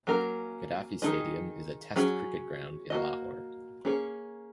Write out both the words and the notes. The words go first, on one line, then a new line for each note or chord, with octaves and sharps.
Gaddafi Stadium is a Test cricket ground in Lahore.
F#3 A#3 C#4 A#4
D#3 A#3 D#4 G#4 D#5
F#3 C#4 G#4
A#3 C#4 F#4 D#5
A#3 C#4 G#4 C#5